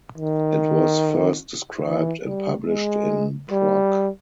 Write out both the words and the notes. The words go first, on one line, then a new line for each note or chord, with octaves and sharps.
It was first described and published in Proc.
D#3
E3
G3
G#3
G3